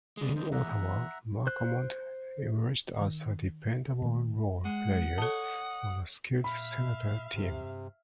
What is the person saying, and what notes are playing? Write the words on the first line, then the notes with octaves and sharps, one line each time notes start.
In Ottawa, McAmmond emerged as a dependable role player on a skilled Senator team.
G#3 D4
E2 D3 C5 D#5
E2 E5 F#5 A#5
C5 F#6
D#3
A#2 D#3 A3
G#3 F#5
A4 C#5 D#5 A5 D#6
A#2 E5 F5 B5
G2 C3